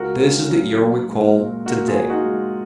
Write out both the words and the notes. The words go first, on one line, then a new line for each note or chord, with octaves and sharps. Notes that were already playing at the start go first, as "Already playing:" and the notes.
This is the era we call "to-day."
Already playing: C#2 F#4 A#4
C#3
F#3
A#2
G#3
A#2
A#2 F#4 A#4
F4 G#4
F3
D#4 F#4
G#3